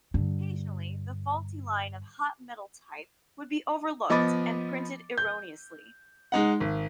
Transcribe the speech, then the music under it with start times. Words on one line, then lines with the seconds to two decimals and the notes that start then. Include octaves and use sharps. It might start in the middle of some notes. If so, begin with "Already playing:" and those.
Occasionally the faulty line of hot-metal type would be overlooked and printed erroneously.
0.14 G2 D3
4.10 F3 B3 D#5 B5 D6 A6
5.18 G6
6.32 G#3 D#4 F#5
6.60 G#1